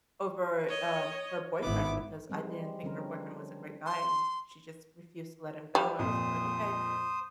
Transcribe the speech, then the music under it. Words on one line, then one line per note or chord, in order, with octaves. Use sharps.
over, um, her boyfriend because I didn't think her boyfriend was a great guy, and she just refused to let him go. I was like going, "Okay"
C#5 D#5
G#1 B3 E4 D6
F3 G3 G#3 C4
D3 F3 G3 C4 C#4 A#4
C6
G3
F2 A#2 C5 D#6